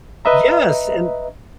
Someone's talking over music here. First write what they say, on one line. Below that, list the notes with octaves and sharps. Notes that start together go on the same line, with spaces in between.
Yes, and
B4 D#5 E5 A#5